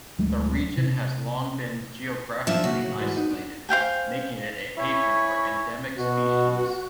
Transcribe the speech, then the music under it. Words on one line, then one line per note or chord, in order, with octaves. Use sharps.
The region has long been geographically isolated, making it a haven for endemic species.
D1 F#3 G#3 A3
C3
F3 D4 E5
C#3 A#3 F#4
A2 D#3 F#3
G#2 E3 G3
D#4
D4
C5 F5 G5 G#5
E4 C#5 E5 G#5 B5 C#6
B2 F#4